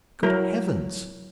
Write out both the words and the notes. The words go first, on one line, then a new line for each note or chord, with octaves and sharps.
Good heavens!
F#3 E4 A#4